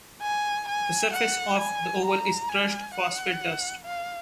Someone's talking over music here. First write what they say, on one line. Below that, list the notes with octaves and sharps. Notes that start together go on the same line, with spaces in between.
The surface of the oval is crushed phosphate dust.
G#5
G#5
F#5
G#5
A#5
G#5
F#5
F5